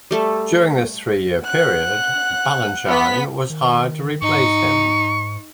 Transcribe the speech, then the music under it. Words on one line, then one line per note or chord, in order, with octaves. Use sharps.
During this three-year period, Balanchine was hired to replace him.
G3 A3 A4
F#5 F#6
B3 B6
D#3
G#2 D#4 C#6